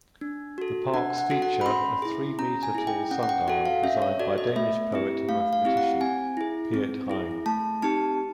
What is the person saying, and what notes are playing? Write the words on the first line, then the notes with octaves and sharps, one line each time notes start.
The parks feature a three-meter-tall sundial designed by Danish poet and mathematician, Piet Hein.
D4
F#4 A4
D4 F#5
F#5
F#4 A4
F#5
B5
C#4 C6
E4 G#4
C#4 A#5
G#5
E4 G#4
G5
C#4 F#5
F#5
G5
F#4 A4 F#5
F5
C#4 E5
C#5
F#4 A4 D5
D#5
A3 E5
C4 E4 G4
A3 F5
F5
C4 E4 G4
F#5
C4 G#5
E4 G#4
C4
E4 G#4
A3 A5
C4 D#4 G4 A5